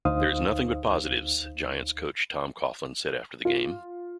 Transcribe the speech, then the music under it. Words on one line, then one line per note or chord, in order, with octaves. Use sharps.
"There is nothing but positives", Giants coach Tom Coughlin said after the game.
D2 D#4 C5 F5 D#6
F4